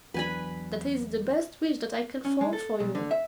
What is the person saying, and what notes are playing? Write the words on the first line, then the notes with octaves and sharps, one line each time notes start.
That is the best wish that I can form for you.
E2 F#3 D4 B4 G#5 B5
C#4
G#3
A4
B1
D3
E5